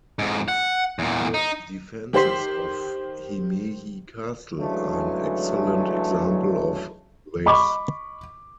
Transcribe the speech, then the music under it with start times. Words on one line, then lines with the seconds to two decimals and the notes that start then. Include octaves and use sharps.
The defenses of Himeji castle are an excellent example of this.
0.19 F2 G#2
0.48 F#5
0.99 E2 A#2
1.34 D#4
2.13 D#3 G4 C5 C6 B6
4.59 C#3 E3 F#3 G#3 A3 D4
7.46 D#5 B5 C#6 D6